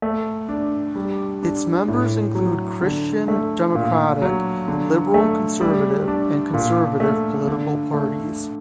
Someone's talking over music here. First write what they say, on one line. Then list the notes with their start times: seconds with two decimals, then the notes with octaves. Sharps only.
Its members include Christian democratic, liberal conservative, and conservative political parties.
0.02 A3
0.49 D4
0.96 G3
1.43 D4
1.88 A2
2.35 F#3
2.82 D3
3.28 A3
3.75 A#2
4.22 F#3
4.68 D3
5.14 A3
5.61 G3
6.08 D4
6.54 A#2
7.00 A3
7.47 D3
7.94 A3